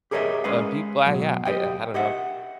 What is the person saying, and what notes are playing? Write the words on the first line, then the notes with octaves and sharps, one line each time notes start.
and people uh, yeah, I I I don't know.
G4 G#4 A#4 C#5 D#5 E5
G#3 C#4 B4 D#5 F5
B2 F#3
G4 D#5 G5
G4 D#5 E5 F#5